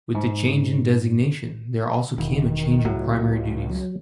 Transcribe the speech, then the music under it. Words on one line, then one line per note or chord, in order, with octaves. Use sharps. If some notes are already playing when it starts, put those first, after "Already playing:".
With the change in designation, there also came a change in primary duties.
G#2
E1 D#3
C#2 A2 F#3
F#3